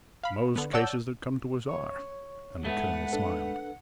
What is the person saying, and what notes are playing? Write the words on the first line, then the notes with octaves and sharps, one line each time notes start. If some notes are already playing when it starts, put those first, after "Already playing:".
"Most cases that come to us are," and the colonel smiled.
F5 B5
D3 B3
C#5 D5 F#5 A5 E6 G6
C#5 C#6
G#2 A3 B3 F#5
D4 A4 B4